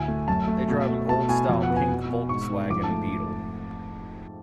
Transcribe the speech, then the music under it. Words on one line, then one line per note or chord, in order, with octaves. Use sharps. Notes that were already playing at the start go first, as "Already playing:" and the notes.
They drive an old style pink Volkswagen Beetle.
Already playing: D2 A2 G#5
A3
F#2 A5
A3
B2
A3
B2 A5
B2 G#5
F2
F#5
B3
G#5
B2
B2
G#2 C#6
G#2
F2 D6
A5
A3